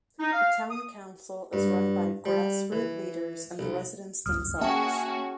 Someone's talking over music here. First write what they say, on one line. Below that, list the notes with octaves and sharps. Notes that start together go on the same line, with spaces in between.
The Town Council is run by grassroot leaders and the residents themselves.
D#4
F5
D#6
G2
G3
E3
B1
G1 C#2 F#2 D#6 F6
A#3 C#4 F#4 G#4 E5 G5 A5